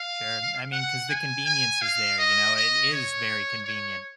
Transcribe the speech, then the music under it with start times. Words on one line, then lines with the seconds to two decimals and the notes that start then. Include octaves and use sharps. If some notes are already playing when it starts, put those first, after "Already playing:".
Sure, I mean, 'cause the convenience is there, you know, it is very convenient
Already playing: F5
0.72 F#5
1.09 G#5
1.46 G#5
1.82 F5
2.19 D#5
2.56 D#5
2.93 C#5
3.65 C#5